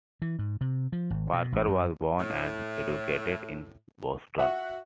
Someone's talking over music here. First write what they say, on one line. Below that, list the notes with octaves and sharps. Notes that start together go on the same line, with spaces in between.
Parker was born and educated in Boston.
E3
G#2
C3
F3
G#1
B2
A1
F#2
A2
F#4 E5 F#5